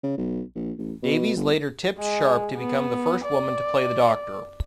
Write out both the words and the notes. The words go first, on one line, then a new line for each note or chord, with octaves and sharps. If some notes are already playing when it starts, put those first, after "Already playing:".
Davies later tipped Sharp to become the first woman to play the Doctor.
C#3
B1
A#1
A1
B2
G1
G#3
B3
D5